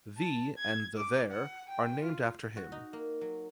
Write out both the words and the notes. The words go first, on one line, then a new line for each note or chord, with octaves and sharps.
The and the there are named after him.
A5
G#6
D6
F#5
G5
F4
F#4
D#4
A#3
F#3